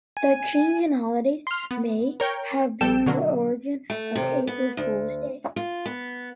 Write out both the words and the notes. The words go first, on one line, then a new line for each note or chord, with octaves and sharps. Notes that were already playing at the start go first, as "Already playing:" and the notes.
The change in holidays may have been the origin of April Fools' Day.
G#5
C6 F6
B3
A#4 C#5 G5
A#1 G3 A4 G5 E7
B2 D3 F#3 A#3
A3
C3
B3
D2
F4
B3